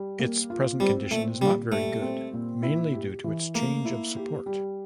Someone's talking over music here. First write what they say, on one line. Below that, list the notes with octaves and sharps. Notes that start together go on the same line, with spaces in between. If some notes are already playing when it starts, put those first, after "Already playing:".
Its present condition is not very good, mainly due to its change of support.
Already playing: G3
A#3
F4
G3 C4
A#2 A3
A#2 G3
G3 A3
C4
A#2
E4
G4
E3
A3 A#3
E4
G4
G3